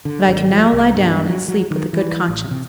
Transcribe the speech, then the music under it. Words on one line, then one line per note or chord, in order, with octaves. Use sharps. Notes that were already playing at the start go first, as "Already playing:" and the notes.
"But I can now lie down and sleep with a good conscience."
D3
G#1
F3
C2
G2
F#3
F#3
D#3
E3
A1
C3